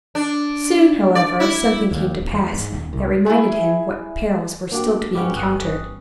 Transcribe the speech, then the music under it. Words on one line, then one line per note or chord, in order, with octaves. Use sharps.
Soon, however, something came to pass, that reminded him what perils were still to be encountered.
D4
D5
E4
D#2
D1
E2
G#2
D#1
C2
E4 G#4
A#3 D4 F#4 G4
G3 G#3 B3 C#4 D6
G1 D#6 F#6